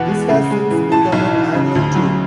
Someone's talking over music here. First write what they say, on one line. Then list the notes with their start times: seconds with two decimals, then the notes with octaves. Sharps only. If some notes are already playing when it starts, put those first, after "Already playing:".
This has since become an annual tour.
Already playing: E2 B2 F#5
0.08 G#3
0.29 C#3
0.51 G#3
0.71 E3
0.92 A2 A5
1.12 B1
1.33 E3
1.54 C#3
1.75 D2
1.95 F#3